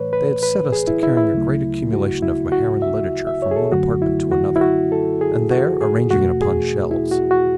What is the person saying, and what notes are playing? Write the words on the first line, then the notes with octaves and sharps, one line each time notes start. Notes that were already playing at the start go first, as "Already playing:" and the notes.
They had set us to carrying a great accumulation of Maharan literature from one apartment to another, and there arranging it upon shelves.
Already playing: A2 E3 A3 B4 C#5
B4
B4
G#4
E4
E4
E4
D2 C#3 F#3 A3
F#4
E4
F#4
E5
E5
C#5
G#4
A4
F#2 D3 F#3 A3 F#4
E4
F#4
E4
F#4
A4
G#4
F#4
G#4
E2 B2 A3 F#4
G#4
E4
F#4
F#4